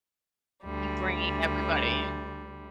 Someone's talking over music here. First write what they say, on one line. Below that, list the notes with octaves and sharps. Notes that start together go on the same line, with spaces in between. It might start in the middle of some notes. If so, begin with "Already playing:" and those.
you bringing everybody.
D2 G3